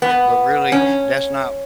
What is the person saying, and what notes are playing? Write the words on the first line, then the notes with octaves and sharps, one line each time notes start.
but really that's not
B3
C#4